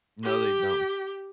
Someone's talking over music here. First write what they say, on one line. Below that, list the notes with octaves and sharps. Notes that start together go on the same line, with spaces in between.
No, they don't.
G4